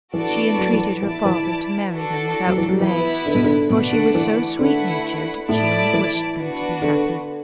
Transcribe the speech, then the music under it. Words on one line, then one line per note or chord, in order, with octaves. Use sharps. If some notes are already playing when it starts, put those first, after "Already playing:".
She entreated her father to marry them without delay, for she was so sweet-natured, she only wished them to be happy.
E3 B3 D4 F#4 A4 D5
F#3
E3
E3 E4 D5 A5
E3
D4 F#4 A4
F#3
E3
F#3
E3 B3 E4 B4
D3
B2
D3
B2 A3 D4 B4 D5 F#5
D3
E3
D3 A3 E4 B4 F#5
A2 E4 D5 A5
E3
B3 D4 F#4 B4
D3